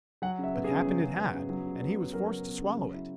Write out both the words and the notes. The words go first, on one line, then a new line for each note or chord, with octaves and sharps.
But happened it had, and he was forced to swallow it.
F#3 F#5
C#3
E5
B3
G#4
C#3
F#3
C#3
B3
C#3
F#3
C#3
B3
C#3
F#3 A#4
C#3
B3
C#3
F#3
E4